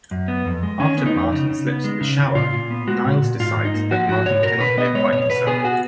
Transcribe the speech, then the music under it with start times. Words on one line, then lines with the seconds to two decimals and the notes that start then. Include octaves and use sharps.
After Martin slips in the shower, Niles decides that Martin cannot live by himself.
0.11 F#2
0.28 B3
0.45 F2
0.63 G#3
0.80 D#3 C#4
0.97 B3
1.06 D#4
1.15 F2
1.32 C#3
1.49 C#3
1.67 B3
1.84 G#3
2.01 C#3
2.19 C#3
2.35 A#2 F4
2.53 A#2
2.71 B3
2.87 G#3 F#4
3.05 A#2
3.22 A#2
3.39 G#2 F4
3.56 G#2
3.65 D#4
3.74 A#3
3.91 F3 F#4
4.09 G#2 F#4
4.26 G#2 C#5
4.43 B2 A#4
4.60 B2 B4
4.77 B3 D#5
4.95 G#3 C#5
5.13 B2 C#5
5.29 B2 B4
5.47 B3 G#4
5.64 F#4